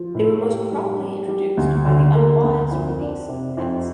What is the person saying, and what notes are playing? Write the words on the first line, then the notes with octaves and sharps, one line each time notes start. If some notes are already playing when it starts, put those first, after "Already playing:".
They were most probably introduced by the unwise release of pets.
Already playing: F3
A2
G4
G3
G3
G3
D2
D3
A#3
D2
F2
D4
C3
F2